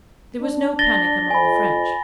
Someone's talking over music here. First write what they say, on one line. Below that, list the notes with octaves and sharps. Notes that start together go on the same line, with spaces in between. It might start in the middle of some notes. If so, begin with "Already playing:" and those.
There was no panic among the French.
D4
A6 A#6 G7
F2 G#5 B5